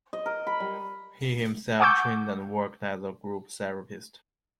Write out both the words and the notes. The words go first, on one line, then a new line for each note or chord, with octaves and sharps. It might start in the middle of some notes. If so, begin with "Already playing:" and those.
He himself trained and worked as a group therapist.
D#5
A#4
B5
G3
F#5 G#5 C#6 D6 E6 G6